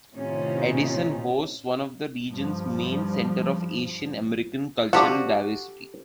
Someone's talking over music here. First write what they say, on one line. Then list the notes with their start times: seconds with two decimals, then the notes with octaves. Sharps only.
Edison hosts one of the region's main centers of Asian American cultural diversity.
0.14 A2 C3 D#3 C#4 D#4 F4
2.30 G2 F3
4.93 F3 D4 F#4 G4 A4